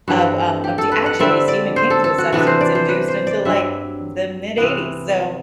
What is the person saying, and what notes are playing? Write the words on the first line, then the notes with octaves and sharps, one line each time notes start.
of, um of the actually Stephen King's was substance-induced until, like, the mid-eighties, so
G2 E3 A3 C4 F#4
G4
A4
B4
F#5
D3 G3 C4 E5
D5
C5
A4
A4
F#4
C3 E3 B3 D4 F#4
C5
D5
C5
B4
C5
D5
G2 F#3 C4 E5
C3 E3 B3